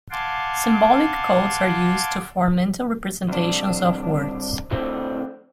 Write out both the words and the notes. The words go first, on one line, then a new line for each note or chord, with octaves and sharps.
Symbolic codes are used to form mental representations of words.
F5 F#5 G#5 A5 C6 D6
C2 D4
F2 A2 D3 C4